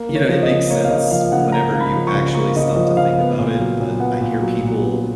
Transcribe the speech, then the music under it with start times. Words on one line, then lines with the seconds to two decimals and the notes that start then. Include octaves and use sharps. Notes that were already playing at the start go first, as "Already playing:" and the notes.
you know, it makes sense whenever you actually stop to think about it. But I hear people,
Already playing: A#3
0.09 C#3
0.15 C#5
0.29 F3
0.43 D#5
0.50 C#3
0.70 A#3 C#5
0.85 F5
0.91 C#3 D#5
1.11 F3 F5
1.32 C#3 F#5
1.52 A#3 A#5
1.73 C#3
1.80 B5
1.95 F3
2.07 C#6
2.14 C#3
2.35 A#3 C#6
2.56 C#3 D#5
2.76 F3 D#5
2.97 C#3 F5
3.18 B3
3.38 A#2
3.59 F#3
3.80 A#2
4.00 B3 F#5
4.21 A#2
4.42 F#3
4.63 A#2
4.82 B3